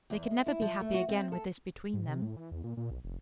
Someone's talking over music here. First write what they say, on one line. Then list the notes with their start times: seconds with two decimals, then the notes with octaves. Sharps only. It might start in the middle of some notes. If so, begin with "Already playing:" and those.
They could never be happy again with this between them.
0.10 E2
0.31 G#3
0.46 E4
0.61 F3
0.81 A3
0.94 F#4
1.08 C4
1.32 A4
1.94 G#2
2.06 C3
2.22 A2
2.36 E3
2.51 E2
2.64 A#2
2.77 A#2
2.91 B1
3.04 F1